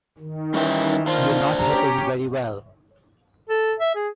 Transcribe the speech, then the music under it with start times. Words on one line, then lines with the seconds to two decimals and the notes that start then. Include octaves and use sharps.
You're not hitting very well.
0.19 D#3
0.54 E3 G3 C#4 G5
1.07 D4 F4 C5
1.59 C#4 G4 A#5
3.49 A4
3.80 E5
3.95 G#4